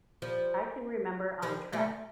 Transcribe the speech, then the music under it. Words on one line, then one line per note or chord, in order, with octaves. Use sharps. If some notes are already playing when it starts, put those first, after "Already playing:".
I can remember on Trek.
F3 G3
F3 G3
G3 A3